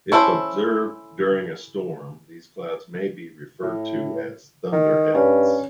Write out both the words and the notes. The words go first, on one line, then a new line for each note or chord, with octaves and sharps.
If observed during a storm, these clouds may be referred to as thunderheads.
C#4 E4 A4 A#4 C5
A2
D#3
G2 C#4